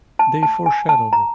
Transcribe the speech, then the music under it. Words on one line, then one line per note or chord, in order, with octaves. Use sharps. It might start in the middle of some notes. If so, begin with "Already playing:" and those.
They foreshadowed it.
A5
A5
G#5
A5
A#5